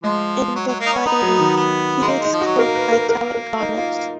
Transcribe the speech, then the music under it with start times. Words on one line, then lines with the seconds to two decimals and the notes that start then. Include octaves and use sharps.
In the fighting, he is killed by Telegonus.
0.03 F3 G#3
0.55 F#3
0.68 F#3
0.80 A#3
0.86 D#4
0.93 C#4
1.06 B3 D#4
1.23 F#3
1.39 D#3
1.56 B3
2.02 G#3
2.08 A#3 D#4
2.20 G#3 D#4
2.33 F3
2.41 F#3 F#4
2.58 A#3 A#4
2.75 B4
2.92 A#4
3.09 A#3 A#4
3.34 A#4
3.60 D#4
3.78 F4